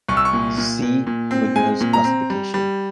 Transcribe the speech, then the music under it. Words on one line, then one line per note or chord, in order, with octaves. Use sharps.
See Wigner's classification.
C2 C#6
E6
C#6
A#2
A#2
A#2
A#2
C4
G#3 G#5
A#2
A#5
C4
G3
G3